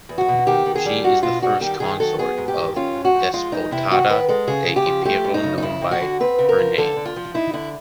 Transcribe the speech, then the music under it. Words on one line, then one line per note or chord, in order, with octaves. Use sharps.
She is the first consort of Despotado de Epiro known by her name.
E2
F#4
B2
D#3 G4
D#3
G#4
G3
D4 F#4
B2 F4
G3 F#4
D#3 G4
D#3 G#4
F#3 A4
B3 G#4
G#2
G4
D#3
C#4 F4
G#2
F#4
F3
G#3 F4
E2 D#4
C3 E4
D#3 F#4
D#3 B4
G#3 A4
C#3 G#4
C#3
G4
F3
A3 G4
F#2
D#4
C#3
D#4
F2 E4
F2
F#4
D3
C4 B4
C#3
A#4
F3
D3 A4
D3
F4
F3
D#4 E4
D3 E4